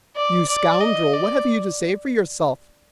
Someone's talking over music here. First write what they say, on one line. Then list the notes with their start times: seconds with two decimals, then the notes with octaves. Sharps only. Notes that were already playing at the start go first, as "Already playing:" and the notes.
You scoundrel, what have you to say for yourself?
0.16 D5
0.48 D5
0.80 D#5
1.13 D5